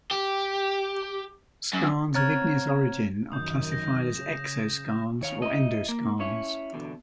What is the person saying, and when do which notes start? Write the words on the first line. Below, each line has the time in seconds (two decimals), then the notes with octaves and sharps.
Skarns of igneous origin are classified as "exoskarns" or "endoskarns".
0.11 G4
1.73 F#2
2.14 C4 C#5 A#5 F6 G#6
3.32 F#2 A#2 D#3 D#6 G6
3.72 A#6
4.15 C#3 E7
5.21 D#3 C#5 F5
5.42 E4 D#5
5.89 A#3
6.20 C#4 E4 C#5
6.73 E2 B2 D3